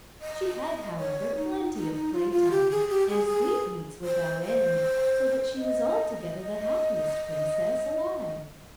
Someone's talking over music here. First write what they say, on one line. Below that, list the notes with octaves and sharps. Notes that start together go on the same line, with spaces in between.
She had, however, plenty of play-time, and sweetmeats without end, so that she was altogether the happiest princess alive.
D#5
C#5
D#4
D#4
D#4
F4
F4
G4
G#4
G4
G#4
G#4
C5
C5
D#5